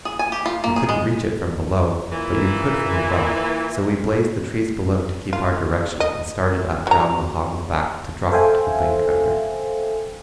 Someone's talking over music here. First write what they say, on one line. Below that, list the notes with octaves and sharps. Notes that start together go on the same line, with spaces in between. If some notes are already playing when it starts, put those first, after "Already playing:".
You couldn't reach it from below, but you could from above, so we blazed the trees below to keep our direction and started up round the hog's back to drop to the bank under.
G#4
G#5
G4
F4
A#3
G#4
G#3
A#2 E3
F4
D#5
F#3 A#5
A4 C5 E5 F5 G5 G#5